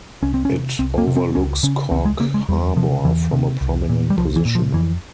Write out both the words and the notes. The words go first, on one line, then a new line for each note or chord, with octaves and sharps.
It overlooks Cork harbour from a prominent position.
C2 C#4
C4
C#4
C3
C2 C4
A#3
C3
C4
C#2 C#4
C#3 C#4
C#2 C4
G#3
C#3 A#3
G#3
E2 G3
C3 F3
E2 E3
C3
C2
A#2
G3
C2 F3
E3
A#2
F3
F2 E3